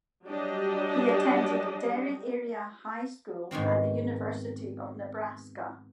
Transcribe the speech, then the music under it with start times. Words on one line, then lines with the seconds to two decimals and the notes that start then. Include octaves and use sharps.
He attended Derry Area High School and the University of Nebraska.
0.26 F#3 G3 D4 G4 D#5
3.51 G#2 B2 D#3 C4